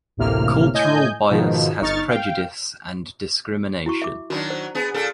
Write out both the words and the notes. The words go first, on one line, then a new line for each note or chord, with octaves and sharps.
Cultural bias has prejudice and discrimination.
A1 D2 A2 C3 A#3 F6
A2 D#5 G#5 G6
G#2 B2 D#3 F3
G1 D#4 C#6 F6 A6
F5 G5
E4 F#4 C#6
E5 D6
D#3 F#3 D4 F#4 B5
C5
B3 G#4
A#2 A4